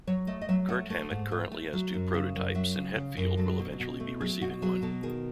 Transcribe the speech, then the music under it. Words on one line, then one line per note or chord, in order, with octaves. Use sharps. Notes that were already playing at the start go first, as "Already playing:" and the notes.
Kirk Hammett currently has two prototypes, and Hetfield will eventually be receiving one.
F#3 C#5
A3 D#5
D#5
F#3 E5
A3 F#5
A3
G#2
A3
A3
F#3
F#2
C#3
F#2
F#3 E5
C#3
C#3
F#2
F#3 A4
B2
B2
A3
F#3 G#4
B2 F#4
F#3 G#4
B2 A4
D#3 G#4